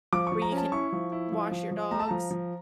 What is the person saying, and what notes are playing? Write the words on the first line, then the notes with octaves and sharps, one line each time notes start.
where you can wash your dogs
F3 D6
C#6
F3
A#5
C#4
A5
E4 C#6
F3
E4
F3
F3
F3
A3 A#5
A5
F3 A#5
F3